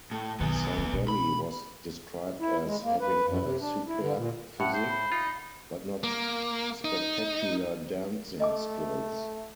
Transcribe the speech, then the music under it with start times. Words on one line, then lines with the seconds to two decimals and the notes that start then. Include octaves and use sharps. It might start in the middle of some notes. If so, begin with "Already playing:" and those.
Sangalli was described as having a "superb physique", but not spectacular dancing skills.
0.11 A2
0.40 B1 D#3 B3 G#4
0.78 D3
0.93 B2
1.08 B5
2.40 E4
2.64 G#3
2.83 A#3
3.00 B4
3.28 F#2
3.42 C3
3.60 D4
3.86 E4
4.01 D3
4.16 A#2
4.60 A2 F#5
4.74 C5
4.90 B5
5.12 D#4 F4
6.03 A#3
6.85 D#4
8.40 A3 D#5 G#5 D6